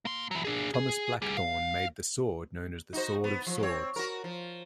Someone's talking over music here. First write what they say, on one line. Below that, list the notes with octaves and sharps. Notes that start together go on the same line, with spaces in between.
Thomas Blackthorne made the sword known as "The Sword of Swords".
A#3 C6
E3 F#3
D4 G#4
G#4
G3 G#4
F5
D#4 F#4 C5
B3
F3
C4 C#5
F#4 A#4
F3